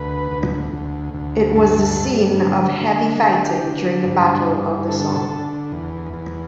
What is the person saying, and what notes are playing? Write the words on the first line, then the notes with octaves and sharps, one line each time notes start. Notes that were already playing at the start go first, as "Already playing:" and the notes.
It was the scene of heavy fighting during the Battle of the Somme.
Already playing: D2 B4
D2
D2
D2
G2 A4
G2
D3
D3
D3 G4
D3
G2
G2
D3 A4
D3
E2
E2